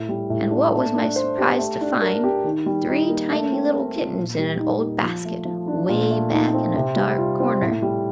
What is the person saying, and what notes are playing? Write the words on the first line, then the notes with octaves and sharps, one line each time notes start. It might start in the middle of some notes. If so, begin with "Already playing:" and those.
"And what was my surprise to find three tiny little kittens in an old basket, 'way back in a dark corner!"
Already playing: A2
G3
A2
D4
A3
D4
C5
G4
A3
D4
A#4
G4
D#3
G3
D#4
A#3
A3
C4
A#4
F4
A#2
G3
D#4
A#3
F3
A3
F3
D4
A#2
A3
D#4
C4
C3
G3
F4
C4
A2
G3